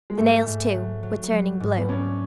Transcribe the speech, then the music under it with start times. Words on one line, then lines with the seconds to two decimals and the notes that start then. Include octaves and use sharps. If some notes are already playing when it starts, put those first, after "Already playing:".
The nails, too, were turning blue.
0.10 G#3
0.18 G#2 A3
0.46 G#2
0.75 F#3
1.03 F#3
1.32 F#3
1.60 G#2
1.77 B3
1.89 C#4 D4